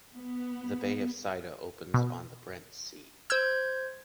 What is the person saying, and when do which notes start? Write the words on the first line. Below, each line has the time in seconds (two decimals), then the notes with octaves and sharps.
The bay of Saïda opens on the Barents Sea.
0.15 B3
1.94 B2
3.30 C5 E6 G6 G#6